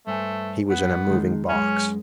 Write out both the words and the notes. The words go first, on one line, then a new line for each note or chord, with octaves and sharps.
He was in a moving box.
G2 A3 C5 G#5
B3
D#3 G#3
F#2 G#3 C#4